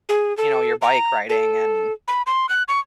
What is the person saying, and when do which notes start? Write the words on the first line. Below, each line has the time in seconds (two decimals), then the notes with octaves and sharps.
you know, your bike riding and
0.09 G#4
0.37 A4
0.82 A#5
1.29 A4
2.08 B5
2.26 C6
2.49 F#6
2.68 C#6